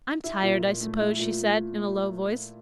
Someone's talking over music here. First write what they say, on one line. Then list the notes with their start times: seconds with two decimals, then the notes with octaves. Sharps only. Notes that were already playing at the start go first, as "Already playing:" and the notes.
"I'm tired, I suppose," she said, in a low voice.
0.24 E4
0.43 A#2
0.62 A#2
0.81 A3
1.00 E4
1.19 A#2